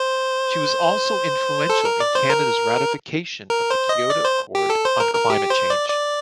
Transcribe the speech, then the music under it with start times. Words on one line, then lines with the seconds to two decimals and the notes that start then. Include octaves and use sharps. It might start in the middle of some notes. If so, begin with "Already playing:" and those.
She was also influential in Canada's ratification of the Kyoto Accord on Climate Change.
Already playing: C5
1.70 A4
1.85 A#4
2.00 D5
2.15 C5
2.30 A#4
3.50 A#4
3.71 C5
3.89 D#5
4.10 D5
4.25 C5
4.55 G4
4.70 A4
4.85 C5
5.00 A#4
5.14 A#4
5.30 G4
5.50 C5
5.70 D5
5.90 D5